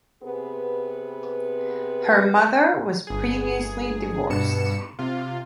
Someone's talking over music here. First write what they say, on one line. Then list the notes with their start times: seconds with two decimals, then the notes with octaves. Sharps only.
Her mother was previously divorced.
0.23 C3 B3 C4 G4 G#4 B4
3.07 G1 G#4
4.30 G2 B2 C#7 E7
4.99 C3 F4